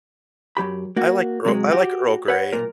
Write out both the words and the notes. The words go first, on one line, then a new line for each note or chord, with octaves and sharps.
I like Earl I like Earl Grey.
F#2 F#3 G4 B5
A#3 F#4
C3 F#3 G#3
F#4 G4
B4 C#5 F#5
B1 A#2 A#4